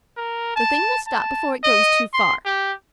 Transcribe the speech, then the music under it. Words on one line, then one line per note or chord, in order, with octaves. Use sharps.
The thing must stop before it goes too far.'
A#4
A5
A5
D#5
C6
G4